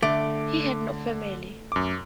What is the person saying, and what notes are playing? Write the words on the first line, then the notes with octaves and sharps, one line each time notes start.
He had no family.
D3 A3 D6 D7
F#2 D6